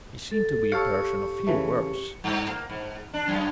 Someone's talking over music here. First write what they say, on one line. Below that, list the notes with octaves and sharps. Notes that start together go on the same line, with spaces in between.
He seemed to be a person of few words.
A4
G4 A4 C#5 F5 C#6 C#7
C#3 E3 A3
G2
A#3
G#2
D4
F#2